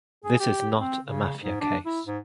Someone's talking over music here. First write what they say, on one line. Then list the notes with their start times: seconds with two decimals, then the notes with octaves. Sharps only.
This is not a Mafia case.
0.25 G#4
0.40 G4
0.78 C4
1.03 C#3
1.42 G#2
1.61 D4
1.86 E4
2.06 G#2